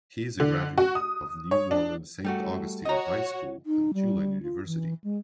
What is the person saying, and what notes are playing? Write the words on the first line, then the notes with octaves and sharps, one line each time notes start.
He is a graduate of New Orleans' Saint Augustine High School and Tulane University.
D3
F#4
D#6
C#5
D4
G3 A3 F#4
F#4 C#5 D#5 A#5
D#4
G3
F4
E3
G#3